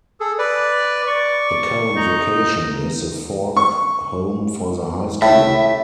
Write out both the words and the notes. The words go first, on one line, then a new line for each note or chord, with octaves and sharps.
The current location is the fourth home for the high school.
G#4 A4
B4 D5
D5 C#6
D#4
C#6
A2 E5